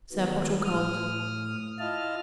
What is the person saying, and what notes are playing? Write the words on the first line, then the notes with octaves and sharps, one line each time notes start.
Serve hot or cold.
D#3 F#3 B3
A2 D#6 F6
E4 F4 D#5 A5 F6